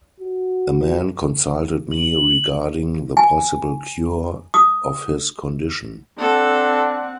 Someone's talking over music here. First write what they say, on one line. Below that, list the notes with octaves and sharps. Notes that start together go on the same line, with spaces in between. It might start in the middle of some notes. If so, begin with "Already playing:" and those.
A man consulted me regarding the possible cure of his condition.
F#4
F#7
G#5
D#6
C4 D4 A4 F#5